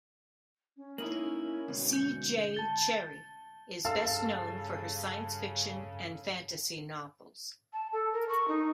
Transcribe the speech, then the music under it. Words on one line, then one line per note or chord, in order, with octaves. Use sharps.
C. J. Cherryh is best known for her science fiction and fantasy novels.
C#4
A#3 D#4 E4 F#7
D2 G#2 B2
G6 C#7
A5 A6 G7
G2 C#3 A4 F5 E6
A5
A4
A#4
C#6
D#4